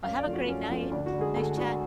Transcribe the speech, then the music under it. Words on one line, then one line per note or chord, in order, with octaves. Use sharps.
Well, have a great night. Nice chat.
F#2 F5
D5
F3 A3
F#4
F#2 C#4
F3 A3
D2 D4
F#4
D3
G#3 G#4
D2 A4
D3 G#3 F#4